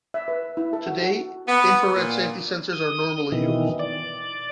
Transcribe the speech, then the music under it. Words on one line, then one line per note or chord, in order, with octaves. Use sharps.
Today, infrared safety sensors are normally used.
E5
B4
E4
A4
F#4
F#4
B3
A#2
D#6
B2 D#3 E3
D5